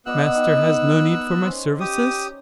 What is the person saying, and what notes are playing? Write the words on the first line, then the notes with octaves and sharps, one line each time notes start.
"Master has no need for my services?"
B3 D5 D#5 F#5 E6 F#6
D#4 G5
C#4 C5
G4 D#6